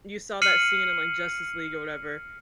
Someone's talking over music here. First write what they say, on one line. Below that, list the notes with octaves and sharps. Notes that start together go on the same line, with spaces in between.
you saw that scene in, like, Justice League or whatever,
F6 C7 C#7 D#7 F#7